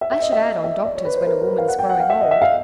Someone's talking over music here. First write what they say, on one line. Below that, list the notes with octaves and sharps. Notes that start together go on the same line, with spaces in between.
I should add on doctors when a woman is growing old.
E5
E5
D#5
E5
D#5
E5
D5
C#5
B4
C5
A#4
A#4
B4
F5
F#5
G5
F#5
F5
E5
D#5
E5
F5